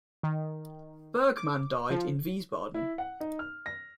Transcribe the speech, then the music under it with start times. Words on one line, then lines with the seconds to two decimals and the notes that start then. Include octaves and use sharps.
Bergmann died in Wiesbaden.
0.23 D#3
1.37 D6
1.90 F3
2.74 E4
2.98 F#5
3.20 D#4
3.39 F6
3.66 A#6